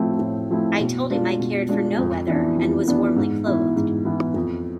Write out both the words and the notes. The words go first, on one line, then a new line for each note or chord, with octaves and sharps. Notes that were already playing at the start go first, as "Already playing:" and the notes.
I told him I cared for no weather and was warmly clothed.
Already playing: A2 F3 A3 C4 E4
A2
F3 A3 C4 E4
B2
G#3 D4 F4
B2
G#3 D4 F4
F2
E3 B3 D4
F2
E3 B3 D4
G#2
E3 B3 E4
G#2
E3 B3 E4
F2